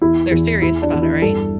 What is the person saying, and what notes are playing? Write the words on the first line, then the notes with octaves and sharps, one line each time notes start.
They're serious about it, right?
E2 E4
E2
E2 E4
D4
E2
E4
G2 A4